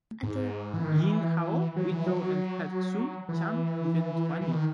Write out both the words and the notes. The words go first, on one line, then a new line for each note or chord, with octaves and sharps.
Yin Hao withdrew and had Xun Xian defend Huaiyin.
G#2
E3
D#3
E3
F#3
E3
F#3
E3
E3
D#3